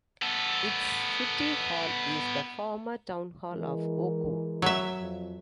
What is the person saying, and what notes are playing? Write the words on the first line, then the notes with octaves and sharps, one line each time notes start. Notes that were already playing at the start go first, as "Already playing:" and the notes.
Its city hall is the former town hall of Oku.
B3 A4
E3 G#3 A#4
F#3 E5
F2